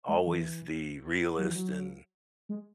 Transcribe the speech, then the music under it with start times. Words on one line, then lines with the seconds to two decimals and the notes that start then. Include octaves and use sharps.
always the realist and
0.08 G#3
0.27 E3
1.38 F#3
1.47 E3
1.55 F#3
2.49 G#3